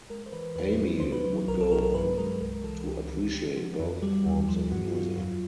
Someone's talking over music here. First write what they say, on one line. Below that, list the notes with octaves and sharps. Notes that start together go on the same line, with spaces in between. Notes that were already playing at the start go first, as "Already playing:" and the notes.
Amey would go on to appreciate both forms of music.
G#3 A#4
C5
E3 B4
E2 B4
C5
F#3
B4
D2 C5
B4
F#3
B1 A#4
A4
F#3 A#4
A#4
G2 B4
G#3 A#4
C2 A#4
E3 A4
C#2 G4
D#3
G#3 G4
F3 F#4
F2
G3
D#2
F3
G2 F#4
F4
F#3 F#4
F2 F4